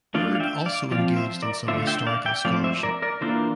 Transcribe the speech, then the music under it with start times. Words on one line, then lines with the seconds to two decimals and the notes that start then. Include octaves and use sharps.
Bird also engaged in some historical scholarship.
0.14 A3 D4 F4 D5 F5
0.35 F5
0.40 E5 G5
0.66 D5 F5
0.91 F3 C4 F4 D5 F5
1.16 C5 E5
1.42 A#4 D5
1.68 D3 A3 C4 F4 C5 E5
1.82 F5
1.87 E5 G5
2.07 D5 F5
2.26 E5 G5
2.45 F3 A3 C4 D5 F5
2.64 C5 E5
2.83 A#4 D5
3.02 A#4 D5
3.21 E3 A#3 D4 F4 A4 C5